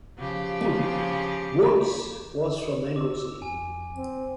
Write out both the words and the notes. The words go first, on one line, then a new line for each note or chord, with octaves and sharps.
Woods was from Anglesea.
C#3 F3 G4
D6 E6
F2 G#5 D#7
C4